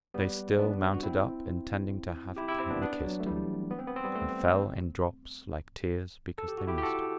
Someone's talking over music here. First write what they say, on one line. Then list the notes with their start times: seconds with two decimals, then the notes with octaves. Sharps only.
"They still mounted up intending to have kiss'd him. And fell in drops like tears because they missed him."
0.14 G3 B3
0.58 B3 D4
0.93 F#4
1.03 C4 E4
2.37 E4 G4
2.48 E4 G4
2.59 C4 E4
2.70 B3 D4
2.81 B3 D4
3.04 F#3
3.20 A3
3.26 E3 G3
3.70 B3
3.78 C4
3.87 B3
3.96 C4
4.04 G3 B3
4.15 A3 C4
6.38 A4
6.48 G4
6.58 F#4
6.67 E4 G4
6.78 G4
6.82 F#4 A4